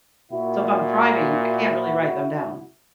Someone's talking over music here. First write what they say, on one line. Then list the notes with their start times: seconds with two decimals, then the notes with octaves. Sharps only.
So, if I'm driving, I can't really write them down.
0.32 A#2 E4 F#4